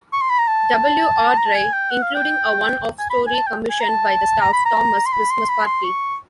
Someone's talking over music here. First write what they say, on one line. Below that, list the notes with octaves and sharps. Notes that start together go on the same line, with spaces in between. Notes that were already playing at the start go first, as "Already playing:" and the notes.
W. Awdry, including a one-off story commissioned by the staff, "Thomas' Christmas Party".
C#6
C6
B5
A#5
A5
A#5
A5
G#5
G5
F#5
F5
G5
G#5
B5
G#5
A5
G5
G#5
A#5
A5
A#5
B5
A#5
C6
B5
C6
B5
C6
C#6